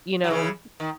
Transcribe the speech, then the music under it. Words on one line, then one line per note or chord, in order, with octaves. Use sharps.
you know
F#3
C#3 E3
D#3